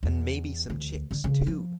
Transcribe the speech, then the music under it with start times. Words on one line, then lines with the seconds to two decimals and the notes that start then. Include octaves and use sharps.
And maybe some chicks too!!
0.03 E2
0.70 D2
1.11 D3
1.24 C#3
1.47 F3